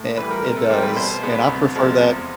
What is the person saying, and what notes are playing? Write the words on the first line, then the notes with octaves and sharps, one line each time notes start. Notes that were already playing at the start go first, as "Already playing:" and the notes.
It it does, and I prefer that.
Already playing: A2
E3 G3 B4
A#4
C3 A#4
A4
E3 G3 C4 A#4
B4
B2 C5
G#3 B3
C2
C3 F3 G#3
E2